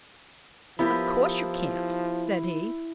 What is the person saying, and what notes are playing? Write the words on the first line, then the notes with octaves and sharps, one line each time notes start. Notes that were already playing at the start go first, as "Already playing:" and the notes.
"Of course you can't," said he.
F3 B3 E4 G4 A#4